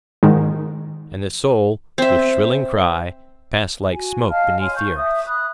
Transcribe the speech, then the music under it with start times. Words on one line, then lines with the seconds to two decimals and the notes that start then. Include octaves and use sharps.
'And the soul, with shrilling cry, passed like smoke beneath the earth.'
0.23 G#2 D#3
1.98 C4 E5
3.92 F#4 G#5
4.28 D#5 F5 A5 F6
4.59 C#5 G#5 C6 F6
4.75 C#6 G6
4.95 E5 D#6
5.26 B5 D#6 F#6